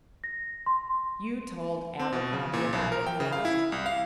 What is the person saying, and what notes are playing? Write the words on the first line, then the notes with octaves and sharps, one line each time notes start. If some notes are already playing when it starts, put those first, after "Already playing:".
"You told Abercrombie about it?" he asked.
A#6
C6
C4
B2
C#3
A#2
B1
A#4
G5
C#3
F5
E4
C2
F5